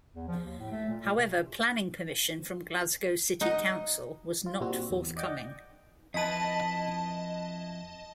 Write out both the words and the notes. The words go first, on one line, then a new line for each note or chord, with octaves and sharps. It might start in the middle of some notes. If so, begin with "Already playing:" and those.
However, planning permission from Glasgow City Council was not forthcoming.
E2
F3
D#2
A2
A3
A#2
A#2
C3
D#4 D#5 F#5
F4
A#2 G3 C4 F#4
E2
D5 D#5 F#5 G5 D6
F2 E4 B4 D#5 A5